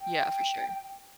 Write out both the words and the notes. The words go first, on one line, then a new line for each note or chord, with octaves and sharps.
Yeah, for sure.
G5